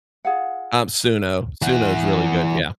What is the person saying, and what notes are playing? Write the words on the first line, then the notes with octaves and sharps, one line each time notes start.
Um, Suno. Suno's really good, yeah.
F4 G#4 F5 F#5
E3 F#5